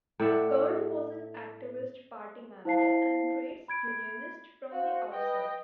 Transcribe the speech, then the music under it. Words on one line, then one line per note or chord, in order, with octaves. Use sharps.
Kern was an activist party member and trades unionist from the outset.
A2 D5 E5 F#5
E4 C5 F5 A5 C7
B5 G#6 D7
F#4 C5 F5
B4 D#5 G5